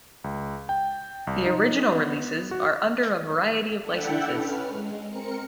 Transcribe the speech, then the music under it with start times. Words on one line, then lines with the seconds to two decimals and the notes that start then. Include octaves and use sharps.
The original releases are under a variety of licenses.
0.24 C#2
0.69 G5
1.27 C2
1.46 D#4
1.92 B3
2.51 F#4
3.80 D4 E4 A4 E5 F#5 G5
4.31 C#4 B4 F6
4.68 G#3
5.05 C4 A#4 C#7